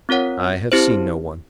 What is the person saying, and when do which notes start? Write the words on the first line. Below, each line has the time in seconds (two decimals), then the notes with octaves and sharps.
"I have seen no one."
0.09 C4 F4 A#4 C#5 F#5
0.72 C4 E4 G4 C5